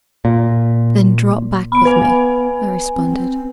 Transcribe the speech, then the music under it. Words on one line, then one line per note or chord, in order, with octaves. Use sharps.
"Then drop back with me," I responded.
A#2
B3 B5 D7
B4 G#5
C4